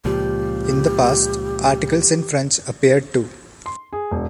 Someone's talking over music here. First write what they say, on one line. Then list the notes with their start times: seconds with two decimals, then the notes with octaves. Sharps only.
In the past, articles in French appeared too.
0.05 C#2 A#2 F3 G4
3.66 C6
3.93 G#4
4.11 E1